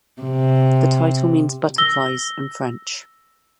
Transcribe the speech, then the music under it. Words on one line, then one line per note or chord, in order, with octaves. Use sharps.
The title means 'butterflies' in French.
C3
E6 A#6 G7